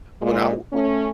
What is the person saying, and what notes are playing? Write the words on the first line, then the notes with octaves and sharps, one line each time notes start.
when I w w
A#2 G#3
A3 C#4